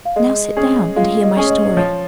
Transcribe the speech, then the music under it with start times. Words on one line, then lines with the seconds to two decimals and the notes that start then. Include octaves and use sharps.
Now sit down and hear my story.
0.05 F5
0.16 G#3 D#5
0.57 C#4 G#4
0.96 G#3 F4 F5
1.24 D#5
1.37 C#4 G#4
1.46 C#5
1.50 D#5
1.76 F3 C#5